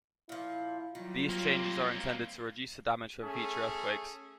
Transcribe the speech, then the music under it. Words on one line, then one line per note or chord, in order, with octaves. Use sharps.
These changes are intended to reduce the damage from future earthquakes.
A#2 F3 E4
D#3 F#3 G3 F4
A#3 C4
A3 C#4 G#4